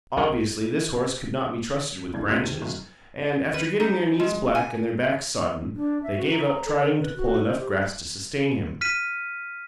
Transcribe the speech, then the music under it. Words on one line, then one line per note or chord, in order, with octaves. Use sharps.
Obviously, this horse could not be trusted with branches, and, after getting their knees black and their backs sodden, they gave up trying to pull enough grass to sustain him.
B1 G#4 A#4 C#6
E1 C2 D4 G#6
D2 C#3 G4 C6 D#7
C3 D#3
B1 F#2
B4
D#4
G#3
G#5
D4
E5
F#4
A#5
A#5
A4
A#4
B4
F#4
C5
G4
F6 B6 D#7